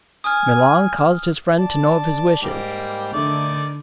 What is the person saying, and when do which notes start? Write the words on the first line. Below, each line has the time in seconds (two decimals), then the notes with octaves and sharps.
Milon caused his friend to know of his wishes.
0.24 G#5 D#6 F6
1.58 D5 A5
2.41 G#2 G3 A#3 G4
3.13 D3 D#3 A3 D5